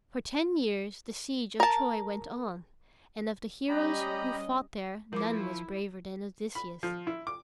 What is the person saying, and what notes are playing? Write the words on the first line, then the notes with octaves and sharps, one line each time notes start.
For ten years the siege of Troy went on, and of the heroes who fought there, none was braver than Odysseus.
A#4 A5
G3 C#4 G4 D#5 A#5 B5
F3 E4 A#4 D6
B5
F3
E4
D6